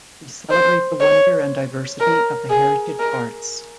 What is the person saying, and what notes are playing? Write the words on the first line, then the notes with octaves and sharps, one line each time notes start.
We celebrate the wonder and diversity of the heritage arts.
C5
C#5
A#4
G#4
A#4